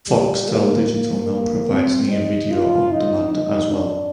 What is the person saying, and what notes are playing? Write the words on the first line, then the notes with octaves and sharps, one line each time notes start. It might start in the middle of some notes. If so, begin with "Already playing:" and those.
Foxtel Digital now provides Near Video on Demand as well.
G3
A#3
A#3
A#3
C4
D#4
F4
D#4
D#4
D4